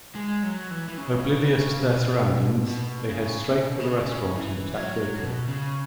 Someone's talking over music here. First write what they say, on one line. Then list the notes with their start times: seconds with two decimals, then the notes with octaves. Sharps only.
Oblivious to their surroundings, they head straight for the restaurant and attack Goku.
0.15 G#3
0.43 F#3
0.71 E3
0.89 E3
0.98 C#3
1.41 C#3
1.83 B2
2.67 B2
3.09 C#3
3.51 B2
3.80 C#3
4.07 C#3
4.35 E3
4.77 F#3
5.19 B2
5.48 C#3